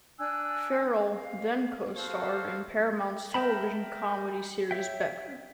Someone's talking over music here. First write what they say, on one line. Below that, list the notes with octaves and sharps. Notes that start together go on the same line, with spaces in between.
Farrell then co-starred on Paramount's television comedy series "Becker".
D4 G#5 E6 F#6
F5
F#4 A4 C5 F5
A#4 E5 G5 A5 B5
C#5 E5 G5